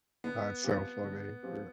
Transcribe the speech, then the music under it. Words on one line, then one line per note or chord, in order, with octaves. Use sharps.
That's so funny, yeah.
D3 B3
F3 C4 G4
D3
F3 C4 G4